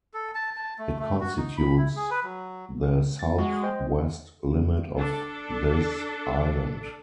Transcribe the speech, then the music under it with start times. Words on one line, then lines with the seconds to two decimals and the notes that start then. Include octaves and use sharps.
It constitutes the southwest limit of this island.
0.14 A4
0.35 A5
0.57 A5
0.79 A3
0.99 A3
1.20 F#4
1.38 D#4
1.57 B5
1.78 E4
1.96 G#4
2.11 B4
2.24 F#3
3.19 A6
3.39 G#3 F#4
3.63 C5 D#5 G5
4.99 D4 A4